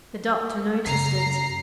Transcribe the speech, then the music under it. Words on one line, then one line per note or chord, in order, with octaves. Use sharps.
The Doctor noticed it.
F#2 C#3 A#5 C7